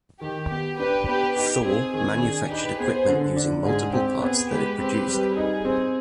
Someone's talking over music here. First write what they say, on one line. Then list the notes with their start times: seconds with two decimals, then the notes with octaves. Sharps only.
Thor manufactured equipment using multiple parts that it produced.
0.21 D#3 G4
0.50 B3 G4
0.78 D4 G4 B4
1.07 B3 G4 B4
1.37 D#4 G4
1.65 C4 G#4
1.94 D#3 G#4
2.22 D4
2.50 D#4 G4 B4
2.79 B3 G#4 C5
3.08 D3
3.36 D4
3.64 G#2 G#4
3.93 C4 G4
4.22 B3 G#4
4.50 G#3 G4 B4
4.79 C4 G4 B4
5.08 G3
5.36 D#4 G#4
5.65 C4